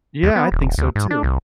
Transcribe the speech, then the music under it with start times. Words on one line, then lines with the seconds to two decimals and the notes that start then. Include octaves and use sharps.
Yeah, I think so too.
0.23 D#2
0.36 B3
0.52 D#1
0.78 D2
0.95 G#2
1.11 D4
1.23 C2